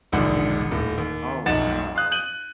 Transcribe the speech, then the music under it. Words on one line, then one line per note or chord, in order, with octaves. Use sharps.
Oh, wow.
E1 A#1 D#2 G#2 D3 F#5
D#1 A2
D#2
B1 F2 F#5 A6 E7
F5 D#6 F#6
G6 D#7 F#7